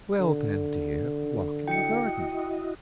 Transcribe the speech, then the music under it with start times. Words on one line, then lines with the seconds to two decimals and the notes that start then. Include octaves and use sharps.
'Well then, dear, walk in the garden.'
0.20 D3
1.68 E4 F#4 D#5 G5 C#7